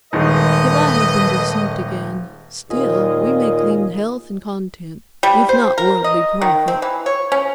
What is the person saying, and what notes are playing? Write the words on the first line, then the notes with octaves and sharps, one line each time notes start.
If I have been deceived again, still we may glean health and content, if not worldly profit.
D#1 D#3 G#3 A4 B4 D#5
D#2 A#2 F4 G#4 D#5
G3
C5
A#4
D#5
D#3
C4
E3
C#5
C#4